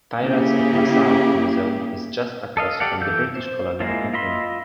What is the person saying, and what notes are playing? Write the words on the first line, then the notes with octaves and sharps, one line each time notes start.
Pirates of Nassau Museum is just across from the British Colonial Hilton.
C#3 A#3 E4 G4 G#4
A4 D#5 F5
G4 A4 D5 F5 F#5
E3 A4 E6 G6
C5
G#3 A#3 E4 F4
F4 D#5 E5 B5 C6